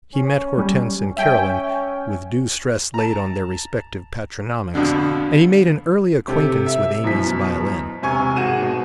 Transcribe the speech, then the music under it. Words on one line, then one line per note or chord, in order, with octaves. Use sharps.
He met Hortense and Carolyn--with due stress laid on their respective patronymics--and he made an early acquaintance with Amy's violin.
C#4
G3
C#4 E5 G5 G#5
A5 A#5
F2 B2 D3 D4
C3 G4 A4
E5
F#2 B2 E3 F3 B6
E1 C3 G#5 C#6
G#1 F#4 G#4 D#7 E7
B2